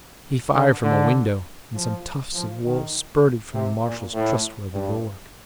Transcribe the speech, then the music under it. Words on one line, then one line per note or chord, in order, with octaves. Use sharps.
He fired from a window, and some tufts of wool spurted from the marshal's trustworthy bulwark.
D3
D3
F3
F3
D#3
C3
A#2
A2
G2